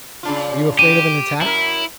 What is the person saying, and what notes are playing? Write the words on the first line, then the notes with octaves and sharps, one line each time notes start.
Are you afraid of an attack?
C#3 D4 F4
G4 D#7
F#2 E4 A#4